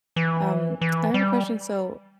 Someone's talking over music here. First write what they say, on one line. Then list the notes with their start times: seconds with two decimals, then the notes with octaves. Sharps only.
Um, I have a question. So,
0.16 E3
0.81 E3
1.14 G3